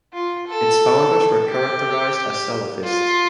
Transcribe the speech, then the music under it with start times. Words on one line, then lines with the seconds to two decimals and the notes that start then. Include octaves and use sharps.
Its founders were characterised as salafists.
0.13 F4
0.48 A4
1.49 G4
2.85 F4